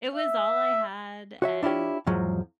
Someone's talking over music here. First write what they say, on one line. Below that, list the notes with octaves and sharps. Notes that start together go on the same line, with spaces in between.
It was all I had, and
E5
F#4 C#5 E5
D4 E4 F4 G4 C#5
E2 G#2 F3 F#3